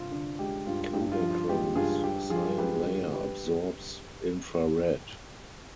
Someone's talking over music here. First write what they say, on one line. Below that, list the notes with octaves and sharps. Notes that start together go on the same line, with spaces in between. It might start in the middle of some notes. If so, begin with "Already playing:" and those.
Kodachrome's cyan layer absorbs infrared.
Already playing: G2 C3 F4
D3
G#3 G4
G2 F4
G2 G4
F4
F3
F4
G#3 G4
G2 F4 G#4
G2 G4
F3 F4 G#4
G#3 G4 B4
G2
G4 B4